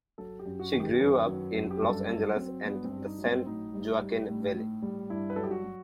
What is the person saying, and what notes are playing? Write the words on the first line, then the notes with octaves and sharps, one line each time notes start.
She grew up in Los Angeles and the San Joaquin Valley.
F#3 A4
G4
F#2
F#4
D#3
G4
F#2 B4
F#3
F#2
G4
G2 A4
F#3 A4
F#3 C4
G2 B3
C4
G2
D#4
F#3
C4
A2 D#4
G3
G3
A2
A2
G3
G2 E4
B4
F#3 A4
G4
F#4
F#3